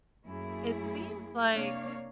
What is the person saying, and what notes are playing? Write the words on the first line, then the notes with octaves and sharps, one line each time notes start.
it seems like
F#2 A3 A#3 E4 G#4
C3 A#3 D4 C#5 F5